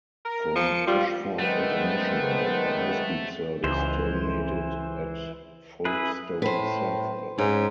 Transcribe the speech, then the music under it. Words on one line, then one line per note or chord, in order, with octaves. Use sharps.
From Ashford International, the High Speed service terminated at Folkestone Central.
A#4
F3 C#7
G3 F4
D#3 F#3 G#3 A3 B3 C5 F#5 G5
C#2 E3 C5
E4 G#4 B4
A2 B4 C5
G#2 C#4